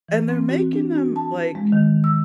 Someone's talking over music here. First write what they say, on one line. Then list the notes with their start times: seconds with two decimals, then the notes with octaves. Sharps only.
And they're making them, like
0.08 E3
0.29 C4
0.49 F#4
0.73 D4
0.95 F#4
1.16 A5
1.55 G#3
1.72 D#3
2.04 E6